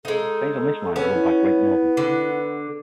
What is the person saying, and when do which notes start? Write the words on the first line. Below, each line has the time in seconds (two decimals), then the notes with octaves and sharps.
Trains on this line are run by Great Northern.
0.05 G#3 D#4 A4
0.96 B3 C#4 A4
1.13 E4
1.97 D3